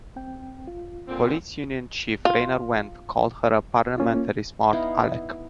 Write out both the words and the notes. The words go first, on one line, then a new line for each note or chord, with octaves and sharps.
Police union chief Rainier Wendt called her a "parliamentary smart aleck".
C4 G5
F4
A#2 D3 C4
F4
A#3 C#4 F4
B3 D#4 E4 F5